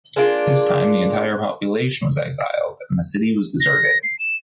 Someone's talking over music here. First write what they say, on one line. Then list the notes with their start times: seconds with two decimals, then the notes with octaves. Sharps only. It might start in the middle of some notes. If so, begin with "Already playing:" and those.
This time the entire population was exiled, and the city was deserted.
0.16 G#3 A#3 D4 F4
3.60 A#6
4.03 C7
4.19 E7